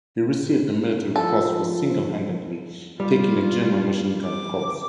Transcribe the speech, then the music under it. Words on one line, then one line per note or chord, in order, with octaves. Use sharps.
He received the Military Cross for single-handedly taking a German machine-gun post.
F3 A4
G3 F4
D6